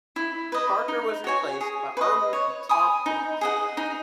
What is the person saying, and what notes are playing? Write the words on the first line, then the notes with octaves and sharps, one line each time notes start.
Parker was replaced by Arnold Tompkins.
E4
B4 D#5
D#4
F#4 C#5 G#5
G#4
B4 D#5
C#5
G#5 B5 D#6
D#4
G#4 D#5 F#5
D#4